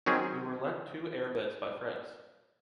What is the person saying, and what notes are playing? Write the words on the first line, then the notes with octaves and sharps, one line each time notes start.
We were lent two air-beds by friends.
D#3 F#3 C4 C#4 G#4